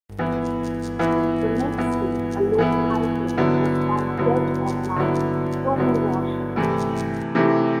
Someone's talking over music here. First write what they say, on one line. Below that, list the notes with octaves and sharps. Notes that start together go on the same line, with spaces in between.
The next day a lone hiker was found dead on Mount Tomuraushi.
E3 B3 E4
E3 B3 E4
E3 B3 E4
E3 B3 E4
D3 F#3 B3 E4
D3 F#3 B3 E4
D3 F#3 B3 E4
D3 F#3 B3 E4
C3 E3 A3 E4
C3 E3 A3 E4